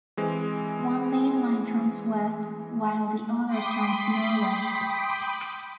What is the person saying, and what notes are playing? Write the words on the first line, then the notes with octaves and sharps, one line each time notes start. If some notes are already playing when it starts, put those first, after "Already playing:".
One mainline turns west, while the other turns northwest.
E3 G#3 C4
G5 B5 C6 D6 D#6 B6